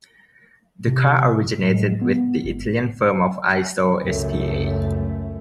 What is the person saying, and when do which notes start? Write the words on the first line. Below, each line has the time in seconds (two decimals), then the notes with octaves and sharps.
The car originated with the Italian firm of Iso SpA.
0.87 C3
1.46 A2
1.74 G#3
2.02 B3
2.44 G1
4.03 C#2 F#2 A3